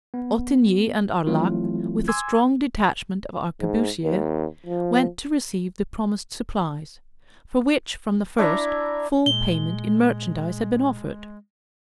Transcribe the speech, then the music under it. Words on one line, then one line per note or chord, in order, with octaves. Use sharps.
Ottigny and Arlac, with a strong detachment of arquebusiers, went to receive the promised supplies, for which, from the first, full payment in merchandise had been offered.
B3
E3 F#3 A3 C4 E4 F4
G#5 C6 D6 E6 G#6
G#2
D#2
F3
D4 E4 A#5 C#6
A#2 G#3 G7